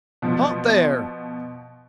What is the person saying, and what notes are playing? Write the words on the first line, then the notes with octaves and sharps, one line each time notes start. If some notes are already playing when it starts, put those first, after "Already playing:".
"Halt there!"
B2 F3